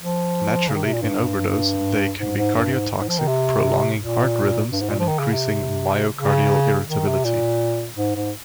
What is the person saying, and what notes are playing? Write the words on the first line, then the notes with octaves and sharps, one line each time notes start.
Naturally, in overdose, they can be cardiotoxic, prolonging heart rhythms and increasing myocardial irritability.
F3
C#3
D#3
C3
A#2
G2
G2
G#2
G#2
G2
G#2
G#2
F3
D#3
C3
A#2
G2
G#2
A#2
F3
D#3
C#3
C3
C#3
D#3
C3
A#2
G#2
G#2